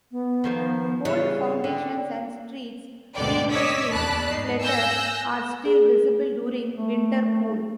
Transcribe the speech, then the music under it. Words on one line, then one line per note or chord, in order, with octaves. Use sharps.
Old foundations and streets, previously flooded, are still visible during winter pool.
B3
D#3 F3 A#3
C#3 E3 G3 F4 C#5
D3 G5
D2 G#2 B2 D3 D5 G5
C#5 D#5 D6 E6 B6
E2 D5 A5 B5 F#6
G#2 D#4 C7
G#5 E6 F#6 G6 A#6
G#4
A3